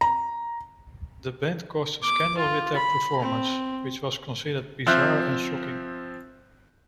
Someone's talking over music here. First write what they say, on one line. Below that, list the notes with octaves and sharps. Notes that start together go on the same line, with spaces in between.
The band caused a scandal with their performance, which was considered bizarre and shocking.
A#5
D6
F4
B5
C4
F3 C4 E5 F6 F#6